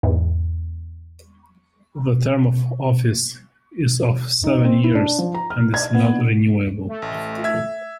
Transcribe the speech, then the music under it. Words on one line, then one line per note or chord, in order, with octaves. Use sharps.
The term of office is of seven years and is not renewable.
E2 G#2
D#4
C4
E4
D4
F3
A#5
F6
G#6
B3
A3
A1
E5 G#6